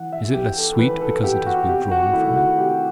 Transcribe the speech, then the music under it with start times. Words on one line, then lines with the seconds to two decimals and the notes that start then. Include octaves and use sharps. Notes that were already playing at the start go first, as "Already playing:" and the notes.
Is it less sweet because it is withdrawn from me?
Already playing: E3 F#5
0.12 E5
0.34 B3 G4
0.57 A4
0.79 E3 B4
1.01 A4
1.24 B3 G4
1.46 F#4
1.69 C3 G4
1.91 F#4
2.13 D#3 A3 E4
2.36 F#4
2.58 C3 G4